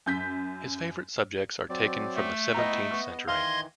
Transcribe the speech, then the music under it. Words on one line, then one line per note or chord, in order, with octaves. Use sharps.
His favorite subjects are taken from the seventeenth century.
F#2 G6 B6
F#3 C4 D5
A3
B3 E4 D#5 G5 A#5
B3 D#5 C#6
D#3 E3 D#5 F5 C6 G#6